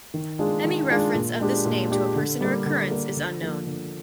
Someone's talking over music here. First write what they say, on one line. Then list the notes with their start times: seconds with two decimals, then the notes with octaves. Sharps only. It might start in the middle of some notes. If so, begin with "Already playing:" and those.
Any reference of this name to a person or occurrence is unknown.
0.14 D#3
0.39 G#3 D4 F4 G#4
0.64 D#3
0.90 G#3 D4 F4 G#4
1.15 A#2
1.40 G#3 D4 G4
1.65 A#2
1.91 G#3 D4 G4
2.15 D3
2.41 G3 A#3
2.66 D3
2.91 G3 A#3
3.17 D3
3.42 F3 A#3
3.67 D3